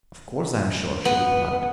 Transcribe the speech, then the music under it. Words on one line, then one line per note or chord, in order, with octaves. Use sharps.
"Of course I'm sure!" she replied.
B3